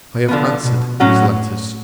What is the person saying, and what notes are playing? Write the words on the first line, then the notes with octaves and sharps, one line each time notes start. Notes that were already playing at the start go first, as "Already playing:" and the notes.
I have answered his letters.
D3 F3 B3
B2
A2 F#3 C#4 F#4